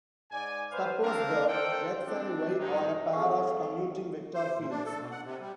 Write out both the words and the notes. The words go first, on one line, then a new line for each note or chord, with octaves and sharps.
Suppose that "X" and "Y" are a pair of commuting vector fields.
G#2 D5 G#5
B4 C5 F5
C4 D4 A#4 F5
A4 C5 F#5 G5
C4 D4
G2 C3 D#3 G#3 D#4
C4 G#4 A4 F5 C#6
C5
A#2
D4
A4
B2
F#5
C3
G3